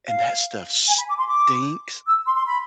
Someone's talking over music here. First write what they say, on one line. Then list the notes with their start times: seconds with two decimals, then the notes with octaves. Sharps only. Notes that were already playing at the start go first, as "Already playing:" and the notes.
and that stuff stinks.
0.08 F5
0.87 G#5
0.97 B5
1.08 D6
1.17 C6
1.27 D6
2.06 E6
2.26 C6
2.36 C6
2.45 B5